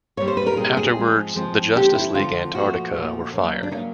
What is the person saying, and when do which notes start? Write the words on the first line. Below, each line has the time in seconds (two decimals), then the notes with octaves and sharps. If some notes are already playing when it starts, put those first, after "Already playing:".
Afterwards, the Justice League Antarctica were fired.
0.17 A#2 G3 C4 C#5
0.28 C5
0.37 B4
0.47 A#4
0.56 A#2 G3 C4 G#4
0.77 G#4
0.96 F3 G#3 C4
1.36 F3 G#3 C4
1.74 D3 F3 G#3 C4 G4
1.95 E4
2.14 D3 F3 G#3 C4 F4
2.54 A#2 F3 A3 F#4
2.93 A#2 F3 A3
3.33 C#3 F#3 A#3 C#4
3.63 D4
3.71 C#3 F#3 A#3 C#4 D#4